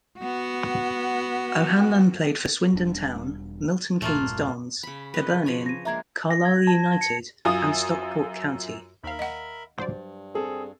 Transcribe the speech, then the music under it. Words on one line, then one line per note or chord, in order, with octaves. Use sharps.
O'Hanlon played for Swindon Town, Milton Keynes Dons, Hibernian, Carlisle United and Stockport County.
B3 F#4
E1 G3 D4
E1 G2 A#2 A3 A#3 F4
C#3 B5
B4 D#5
F3 C#5 G#5
A#6 D#7
G#3 A#3 D4 E5 A#5 G#6
A#6
G#6
A5
C#7
F#2 F4 G#5 D#6
D#2 A#4 E5 F5 B5
D#5 F#5
G2 F#3 C5 D5
C4 G#4 A4